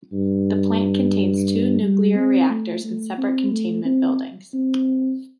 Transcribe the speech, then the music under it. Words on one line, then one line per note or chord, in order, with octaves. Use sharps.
The plant contains two nuclear reactors in separate containment buildings.
G2
G3
C4
A3
A3
C4
A3
C4
C4